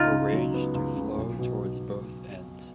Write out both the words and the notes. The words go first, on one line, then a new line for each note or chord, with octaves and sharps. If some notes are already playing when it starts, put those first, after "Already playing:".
Arranged to flow towards both ends.
Already playing: C#2 C#3 D#4 F4
C#3
F#3
B3
C#2
C#3
B1
B2